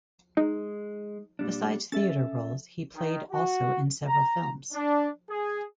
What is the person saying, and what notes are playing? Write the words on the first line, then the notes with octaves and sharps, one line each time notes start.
Besides theatre roles he played also in several films.
G#3 D#4
A#2 G3 D4
C#4 A4 E5 A6
D#3
F#4
A#5
D4
G#4